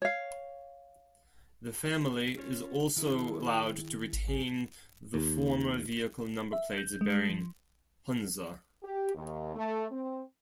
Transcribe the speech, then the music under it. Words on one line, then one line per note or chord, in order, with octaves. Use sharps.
The family is also allowed to retain the former vehicle number plates bearing 'Hunza'.
C#5 F5
C#4 F4 C#5
D#3 E4 G#4
G#1
F#2 G#4
D#2
E5
G6
G#3
F3
G4
D#2
A3
C4